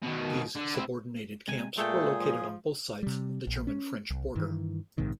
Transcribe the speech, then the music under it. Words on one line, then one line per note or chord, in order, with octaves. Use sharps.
These subordinated camps were located on both sides of the German-French border.
B2 D#3
D3
C4 E4
C3 G#3 G#5
A#2 G#3 A3 G#4 A4 G5
F3
C3 G3
A#1
C#4
C2
G2 D#3 E3
A#1 G#2 C3 D#3